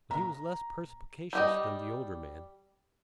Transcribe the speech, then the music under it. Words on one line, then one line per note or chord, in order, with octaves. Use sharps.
But he was less perspicacious than the older man.
A#5
G3 G4 D#5